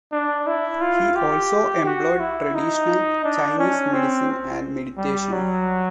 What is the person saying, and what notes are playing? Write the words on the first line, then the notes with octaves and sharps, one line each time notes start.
He also employed traditional Chinese medicine and meditation.
D4
E4
F4
G4
F#4
E4
D#4
D4
C#4
C4
G3
F#3